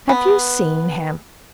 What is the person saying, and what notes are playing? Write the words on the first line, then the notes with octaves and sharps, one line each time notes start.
Have you seen him?
B3